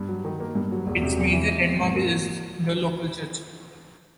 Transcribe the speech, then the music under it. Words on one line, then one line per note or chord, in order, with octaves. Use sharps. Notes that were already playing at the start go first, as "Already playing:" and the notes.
Its major landmark is the local church.
Already playing: G2
F#3
D#3
A#3
G2
F#3
E1
C3
E2
E3
E1
C3
G#2
A#3